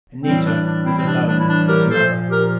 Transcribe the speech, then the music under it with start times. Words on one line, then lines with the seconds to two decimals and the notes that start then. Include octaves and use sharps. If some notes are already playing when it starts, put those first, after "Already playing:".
Anita was alone at another.
0.23 A2 E3 G3 C4
0.44 D4
0.65 D4
0.85 C4 E4
0.98 C4
1.06 D4
1.27 D4
1.39 E4
1.47 D4
1.68 G4 A#4
1.88 A#2 F3 A4 C5
2.30 G4 A#4